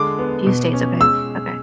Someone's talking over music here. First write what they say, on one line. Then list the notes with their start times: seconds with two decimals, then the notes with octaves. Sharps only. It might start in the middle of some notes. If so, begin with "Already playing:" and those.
Few states, okay, okay.
Already playing: D3 G#3 D6
0.19 B3
0.46 B2
0.73 C#4
1.01 G#3 E6